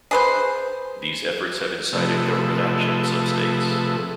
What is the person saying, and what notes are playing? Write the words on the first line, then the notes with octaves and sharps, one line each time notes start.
These efforts have incited government action in some states.
G#4 B4 C5
C3 F3 A3 G#4 A4 B4